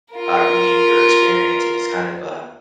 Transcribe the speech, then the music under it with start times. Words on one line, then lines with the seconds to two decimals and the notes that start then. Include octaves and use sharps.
uh ruining your experience, and it's kind of a
0.14 F4 A#4